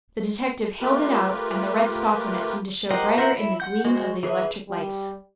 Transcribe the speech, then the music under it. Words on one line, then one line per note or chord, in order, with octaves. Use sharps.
The detective held it out, and the red spots on it seemed to show brighter in the gleam of the electric lights.
A3 F4 G4 A#4 B4
G4 A#4 C5 D#5 F#5
F4 A#4 C5 E5 F#5
E4
F#5 G6
G#3 F#4 C5
E3 G#4 B4 E5
G3